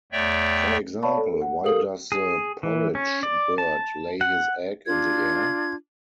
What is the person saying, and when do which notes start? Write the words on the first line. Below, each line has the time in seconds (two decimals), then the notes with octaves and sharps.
For example, Why does the Porridge Bird lay his egg in the air?
0.12 E2 A3 C#5 D5 E5 G5
1.02 C#5 D5 F5 A5 B5 C#6
1.17 A4
1.41 F#5
1.64 G4 A4 A#4 F5 D#6 F#7
2.12 G#4
2.63 E3
2.95 C#4
3.23 D5
3.58 A5
4.21 F#5
4.86 D4 F4 G#6